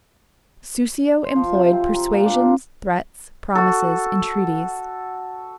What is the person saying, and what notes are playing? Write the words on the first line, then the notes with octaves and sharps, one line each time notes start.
Soussio employed persuasions, threats, promises, entreaties.
C5
F3
C3
C4
A#5
A#2
D4
F4
F#4 A4